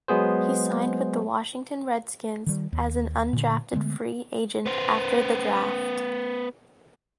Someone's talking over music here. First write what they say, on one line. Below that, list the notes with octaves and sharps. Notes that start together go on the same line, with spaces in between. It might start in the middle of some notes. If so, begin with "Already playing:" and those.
He signed with the Washington Redskins as an undrafted free agent after the Draft.
F#3 G#3 B3 G#4 C5
D#3 G3
D#2
A#2 D3
D3 G#3 A3 B3
B3 C5